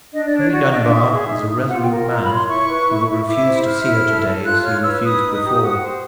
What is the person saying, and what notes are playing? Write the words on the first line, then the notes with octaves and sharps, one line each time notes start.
"Henry Dunbar is a resolute man; he will refuse to see her to-day, as he refused before."
D4 D#5
D5
D4
C#5
F#4 D5
D5
D4 D#5
E5
D#4
G#4
D#4
D#4
F4 F#5
G5
A#4
F4 A#5
B5
C#5
C6
E4 C#6
B4
E4
E4
E4 D6
C5
E4 F6
E4
A4
A4
F4 F#6
C#5 F6
B4 E6
B4 D#6
D#4
G4
F#4
C5